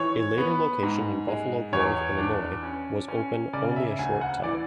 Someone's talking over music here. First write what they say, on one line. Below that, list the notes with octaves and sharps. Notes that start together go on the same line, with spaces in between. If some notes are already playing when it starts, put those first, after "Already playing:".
A later location in Buffalo Grove, Illinois, was open only a short time.
Already playing: E3 C#5
B3
G#2
G#3
E2 C#5
D4
C#4
C#4
C#3 D5
E5
D2 G#5
F#5
E3 D5